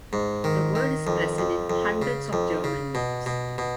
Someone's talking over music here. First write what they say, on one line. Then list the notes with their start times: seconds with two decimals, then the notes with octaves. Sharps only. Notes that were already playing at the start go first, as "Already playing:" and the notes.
The word is present in hundreds of German names.
0.13 G#2
0.44 D#3
0.75 D#3
1.07 F2
1.38 F2
1.70 F2
2.02 C#3
2.33 F2
2.64 C#3
2.95 B2
3.26 B2
3.58 B2